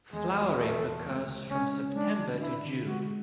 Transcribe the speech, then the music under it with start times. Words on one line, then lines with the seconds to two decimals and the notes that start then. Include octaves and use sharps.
Flowering occurs from September to June.
0.13 E2 G#3
0.36 E2
0.59 E2 A3
0.82 E2
1.04 C#2
1.27 C#2
1.51 C#2 C#4
1.72 C#4
1.96 G#3 D4
2.18 D2
2.41 D4 E4
2.65 D3
2.87 G#3 F#4